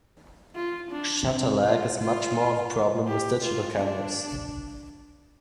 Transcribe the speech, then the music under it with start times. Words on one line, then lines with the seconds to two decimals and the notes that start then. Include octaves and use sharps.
Shutter lag is much more of a problem with digital cameras.
0.55 F4
0.92 D4
1.28 C4
1.64 F4
1.99 F4
3.08 G4
3.43 F4
3.79 D4